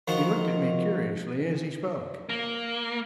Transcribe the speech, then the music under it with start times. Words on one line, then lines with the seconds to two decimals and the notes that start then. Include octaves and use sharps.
He looked at me curiously as he spoke.
0.08 D#3 F3 F#4
2.29 A#3